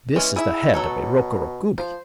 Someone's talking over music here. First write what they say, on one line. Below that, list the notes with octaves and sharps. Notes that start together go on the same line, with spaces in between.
This is the head of a Rokuro-Kubi.
E3 G#3 C#4
E4 G#4 E5
B2 F#3 A4 C#5
F3 C5